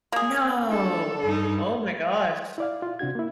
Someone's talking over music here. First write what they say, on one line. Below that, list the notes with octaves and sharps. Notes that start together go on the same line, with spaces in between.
No. Oh my gosh.
A#3 G#4
D4 A4
G2 D#4
E4 D5 F5
F4
C3 D4 F#4 G#6
A#3 E4